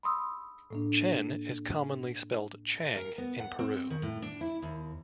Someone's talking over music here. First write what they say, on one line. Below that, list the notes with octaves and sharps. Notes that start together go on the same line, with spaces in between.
Chen is commonly spelled Chang in Peru.
B5 C6 D#6 E6
A2 A#3 D4
A#4
B3
F#5
C4
D#3
A2
D4
E4
D#2